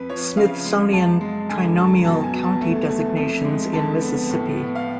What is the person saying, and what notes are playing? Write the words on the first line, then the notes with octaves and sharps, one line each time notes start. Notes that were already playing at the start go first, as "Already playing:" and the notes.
Smithsonian Trinomial county designations in Mississippi.
Already playing: F2 B4
F3 C#5
C#3 F5
G#3
F#2 A5
G#3
D3 G#5
F#2 A5
B2 A5
G#5
B2
A5
A3
A3
F2
G#3
D3 A5
B3
A2
B3
F5